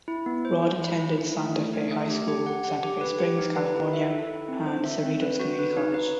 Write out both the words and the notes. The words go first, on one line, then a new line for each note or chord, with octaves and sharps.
Rod attended Santa Fe High School, Santa Fe Springs, California and Cerritos Community College.
E4
B3
C5
C5
E4
E4
E4
A3
A3
D#4
A3
G4
G4
F#5
F#5
G4
B4
G4
D#4
B4
E4
E5
A4
E4
C4
C5
E5
C4
B4
F#4
B4
D#4
B4